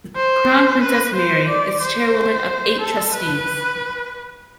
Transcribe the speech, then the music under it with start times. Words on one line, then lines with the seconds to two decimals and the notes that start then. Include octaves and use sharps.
Crown Princess Mary is the chairwoman of eight trustees.
0.16 C5
0.83 B4
1.16 C5
1.49 D5
1.82 C5
2.81 A4
3.15 B4